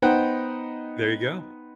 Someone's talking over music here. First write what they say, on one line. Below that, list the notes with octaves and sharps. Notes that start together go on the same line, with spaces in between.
There you go,
B3 D#4 C5 F#5 G5